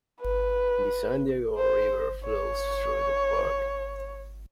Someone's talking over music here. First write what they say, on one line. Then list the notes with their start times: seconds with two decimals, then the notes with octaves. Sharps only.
The San Diego River flows through the park.
0.22 B4
1.57 C5
2.25 C#5